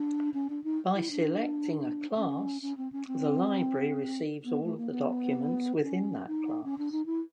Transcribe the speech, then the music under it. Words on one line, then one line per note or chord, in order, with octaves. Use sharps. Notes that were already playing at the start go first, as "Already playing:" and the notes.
By selecting a class, the library receives all of the documents within that class.
Already playing: D4
C#4
D4
D#4
E4
D4
C#4
C#4
C4
C#4
C4
B3
A3
A#3
B3
C#4
D#4
C#4
D4
D#4
E4